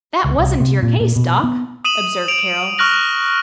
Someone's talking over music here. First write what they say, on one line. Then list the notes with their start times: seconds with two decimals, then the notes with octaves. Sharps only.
"That wasn't your case, Doc," observed Carroll.
0.24 C#2
0.38 C2
0.60 C3
0.83 A#2
1.00 A#2
1.16 B2
1.44 B3
1.85 D#6 D#7 E7 F#7
2.28 D7 F7
2.78 C#6 F6 F#6 A#6 F#7